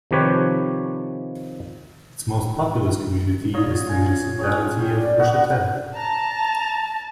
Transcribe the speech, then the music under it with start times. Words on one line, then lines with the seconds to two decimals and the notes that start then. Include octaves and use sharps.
Its most populous community is the municipality of Boischatel.
0.11 C3 D#3 F3 G4 B4 C#5
3.54 F4 C#5 D#5
3.87 F4 G#5
4.39 C#4 G#4 C#5
4.80 G5
4.97 D5
5.19 B3 D4 F#4
5.96 A5 A#5